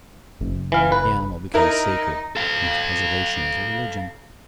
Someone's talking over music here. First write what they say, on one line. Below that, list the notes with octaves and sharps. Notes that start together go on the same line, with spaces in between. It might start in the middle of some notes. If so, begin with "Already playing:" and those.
The animal becomes sacred, and his preservation is a religion.
F#1
E3 F5
B4
D#4 E4 A#4
A4 F5